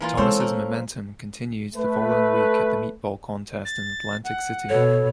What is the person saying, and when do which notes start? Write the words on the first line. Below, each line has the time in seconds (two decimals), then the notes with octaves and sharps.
Thomas' momentum continued the following week at a meatball contest in Atlantic City.
0.01 E3 A#3 F4
0.17 G#3 C4 A4 C5 C#5
0.40 A#3
1.76 A3 B4
3.65 A6
4.24 F#5
4.69 B2 A4 C#5